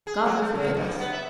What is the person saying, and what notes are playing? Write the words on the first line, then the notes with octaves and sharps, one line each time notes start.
God will forgive us.
G#4
F#3
A3
C#3
G2
B3
E5